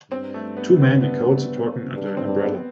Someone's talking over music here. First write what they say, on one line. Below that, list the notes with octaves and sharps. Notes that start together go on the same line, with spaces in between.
Two men in coats are talking under an umbrella.
G2 C4
A3
B3
B3
B3
G2
C4
G2
B3